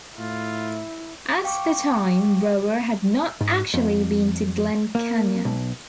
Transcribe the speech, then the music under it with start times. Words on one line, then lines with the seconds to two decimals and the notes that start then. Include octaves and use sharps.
At the time, Brower had not actually been to Glen Canyon.
0.18 A2 E4 F4
1.44 F5 G5 C#6 D6
3.41 G#2
3.74 F2
4.95 A#3
5.45 B1